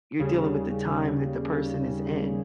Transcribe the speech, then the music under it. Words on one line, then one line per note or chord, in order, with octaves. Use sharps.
you're dealing with the time that the person is in,
D#2 C#3 G3